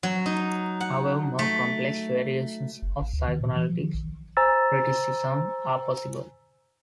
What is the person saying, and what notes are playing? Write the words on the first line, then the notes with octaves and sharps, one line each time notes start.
However, more complex variations of psychoanalytic criticism are possible.
F#3
D#4
F#5
A3
F#1
A1
D2
D#3
A#2
E3
F3
D#3
A#1
C5 G#5 A#5 E6 A6